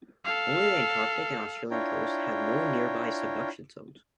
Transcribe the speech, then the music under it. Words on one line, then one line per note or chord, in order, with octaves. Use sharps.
Only the Antarctic and Australian coasts have no nearby subduction zones.
A4 F5
D4 E4 F4 C#5 G5 A#5